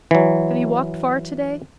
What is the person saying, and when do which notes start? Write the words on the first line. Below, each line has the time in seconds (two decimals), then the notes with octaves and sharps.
"Have you walked far to-day?"
0.11 E3 F#3